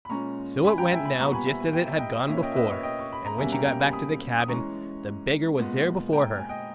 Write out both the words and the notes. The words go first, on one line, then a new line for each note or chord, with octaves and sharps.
So it went now just as it had gone before, and when she got back to the cabin, the beggar was there before her.
B5
A#2 G#3 C#4 A#5 C#6
G#5 B5
G5 A#5
E5 G#5
G#5 B5
A#2 G3 B3 A#5 C#6
G#5 B5
E5 G#5
G#5
G5
E5
D#5 G5
A#2 A#3 C#4 C#5 E5
D#5 G5
E5
B4 D#5
C#5 E5
D#5 G5
C#6
B5
A#5
B2 G3 A#3 C#4 E5 G#5
G5 A#5
G5 A#5
G#5 B5
B5 D#6
D#6
E3 G#3 C#4 A#5 C#6
A#2 G#3 B3
G5 A#5
G#5
D#5 G5